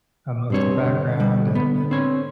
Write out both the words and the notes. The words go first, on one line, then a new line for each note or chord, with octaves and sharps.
amongst the background, and
B1 G2 C4 C#5
D3
G3
B3
C4 C#5